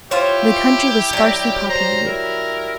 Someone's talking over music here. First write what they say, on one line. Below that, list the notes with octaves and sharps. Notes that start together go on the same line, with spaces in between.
The country was sparsely populated.
E4 F4 G4 C5 C#5
F#3 G3
C5 A#5
E4 A#4